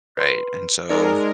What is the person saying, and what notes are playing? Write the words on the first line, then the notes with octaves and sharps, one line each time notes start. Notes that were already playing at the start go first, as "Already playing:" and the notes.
Right, and so,
B4 C6
G#3 D#4 A#4 D5